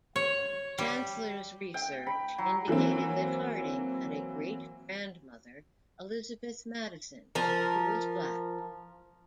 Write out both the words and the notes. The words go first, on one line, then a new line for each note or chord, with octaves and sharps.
Chancellor's research indicated that Harding had a great-grandmother, Elizabeth Madison, who was black.
C#5
G3
G5
B5
F#3
E3 F#3 A#3 C4
F3 A#4